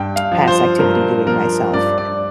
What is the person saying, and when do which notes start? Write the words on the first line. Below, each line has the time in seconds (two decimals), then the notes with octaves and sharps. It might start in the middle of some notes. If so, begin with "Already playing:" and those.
past activity doing myself,
Already playing: G2 G5
0.16 F5
0.32 F3
0.47 C5
0.79 G2 A#4
1.27 F3 A#4
1.74 G2 D5
1.98 D5